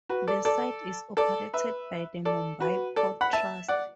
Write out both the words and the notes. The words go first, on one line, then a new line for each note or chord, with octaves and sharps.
The site is operated by the Mumbai Port Trust.
F#4 B4
A4 D5
A4 D5
A4 D5
B4 E5
A4 D5
F#4 B4
A4 D5
F#5 B5
E5 A5
D5 F#5